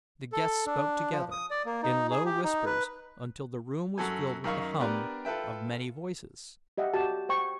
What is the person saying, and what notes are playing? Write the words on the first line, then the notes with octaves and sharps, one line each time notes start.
The guests spoke together in low whispers until the room was filled with the hum of many voices.
A4
D4
F3
D#6
D5
A#3
D#4
G#4
G4
D#4
B4
F#2 F#4 A4 G#5
F#2 D#3 F5 C#6
B3 D4 G4 A#4 B4
F4 A4 B4 E5 G5
G4 D#5 E5 F#5 G5
F#4 G4 A5
C5 G5 C#6